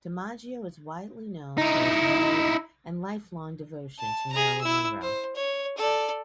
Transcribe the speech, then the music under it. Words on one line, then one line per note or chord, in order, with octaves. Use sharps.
DiMaggio is also widely known for his marriage and lifelong devotion to Marilyn Monroe.
D#4 E4
A5
G#4 A#5
E4 E6
C5
C#5
A4 D5